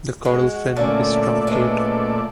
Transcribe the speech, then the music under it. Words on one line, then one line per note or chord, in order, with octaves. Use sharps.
The caudal fin is truncate.
G#3 F#4
A#2 D3 A3 A#3 C#4 D5
E3 G#3 C#4